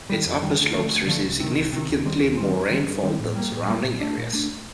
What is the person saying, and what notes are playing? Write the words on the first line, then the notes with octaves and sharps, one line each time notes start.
Its upper slopes receive significantly more rainfall than surrounding areas.
D#3 G3
F2
D#3 G3
D2
D3 F3 A3
D2
D3 F3 A3
C2
C3 D#3
C2
C3 D#3
D#2
D#3 G3 C4
D#2
D#3 G3 C4
G2
D#3 G3 C4
G2
D#3 G3 C4
A2
G3 A#3
A2
G3 A#3
A#2
A3 D4
A#2
A3 D4